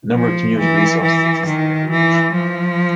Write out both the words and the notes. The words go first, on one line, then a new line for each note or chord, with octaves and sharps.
A number of community resources exist in River Rouge.
F3
E3
E3
D#3
E3
F3